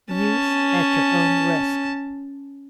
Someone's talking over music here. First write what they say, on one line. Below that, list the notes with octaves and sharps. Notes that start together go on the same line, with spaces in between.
Use at your own risk.
C#4 A5